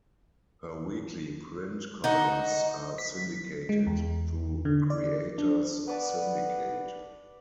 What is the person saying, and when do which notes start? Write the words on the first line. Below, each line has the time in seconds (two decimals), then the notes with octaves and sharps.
Her weekly print columns are syndicated through Creators Syndicate.
2.04 D#4 F#4
2.98 B6
3.69 G#3
3.87 E2
4.65 D3
4.90 D5
5.38 D4
5.88 B3 B4 D5 A5